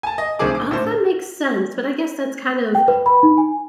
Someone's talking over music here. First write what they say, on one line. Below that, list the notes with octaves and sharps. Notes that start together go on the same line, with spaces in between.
All that makes sense, but I guess that's kind of,
G#5 A5
D#5
B1 A2 D3 C4 G#4 D6
D6
A2 D3 C5
G5
B4
B5
D#4
G#5